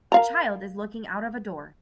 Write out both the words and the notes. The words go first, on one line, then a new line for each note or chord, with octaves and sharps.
A child is looking out of a door.
A#4 F5 A#5